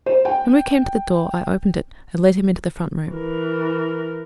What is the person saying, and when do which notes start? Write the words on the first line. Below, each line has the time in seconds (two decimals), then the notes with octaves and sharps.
When we came to the door, I opened it, and led him into the front room.
0.06 C5
0.25 G5
3.13 E3 A#4